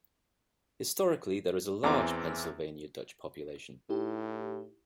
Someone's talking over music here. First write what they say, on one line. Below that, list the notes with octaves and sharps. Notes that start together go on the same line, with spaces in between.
Historically there is a large Pennsylvania Dutch population.
E2 E3 C4 A#5 D6
A2 D#4 E4 G4